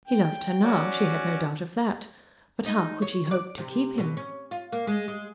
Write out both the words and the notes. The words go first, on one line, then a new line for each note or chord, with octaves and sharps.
He loved her now; she had no doubt of that; but how could she hope to keep him?
G5
C#4 F#4 D5
D#4
C#5
D5
C3
B2
C#4
F4
A#3
G#3
G#3